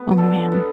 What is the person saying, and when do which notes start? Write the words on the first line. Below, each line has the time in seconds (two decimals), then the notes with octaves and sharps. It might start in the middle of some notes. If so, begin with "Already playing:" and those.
Oh, man.
Already playing: B3
0.17 D3 A4
0.52 B3